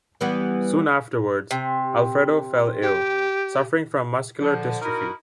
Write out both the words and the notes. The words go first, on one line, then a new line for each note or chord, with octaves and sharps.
Soon afterwards, Alfredo fell ill, suffering from muscular dystrophy.
E3 G3 B3
C3
G4
D3 F3
D#4 E4 F#4 A#4